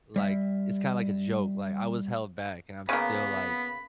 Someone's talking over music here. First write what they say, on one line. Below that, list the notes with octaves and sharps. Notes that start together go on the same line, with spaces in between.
like, it's kinda like a joke. Like, I was held back, and I'm still, like,
G3 E5
C#3 A#3 B3 B5